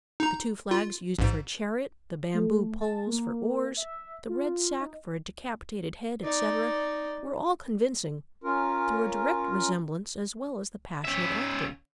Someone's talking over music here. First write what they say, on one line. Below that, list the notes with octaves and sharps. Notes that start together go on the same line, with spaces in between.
The two flags used for a chariot, the bamboo poles for oars, the red sack for a decapitated head, etc., were all convincing, through a direct resemblance as well as the passionate acting.
D#4 A#5
F4
A1 G#2
A3
A5
A#3
E5
F4
D#4
D#4 D5
C#4 F4 A#4
C#3 E5